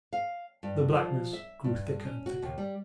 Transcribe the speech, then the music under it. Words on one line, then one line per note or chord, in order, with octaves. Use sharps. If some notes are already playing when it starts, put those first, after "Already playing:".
The blackness grew thicker and thicker.
F5
G2
F3
E5
G2
C#4
F#4
D#2
G3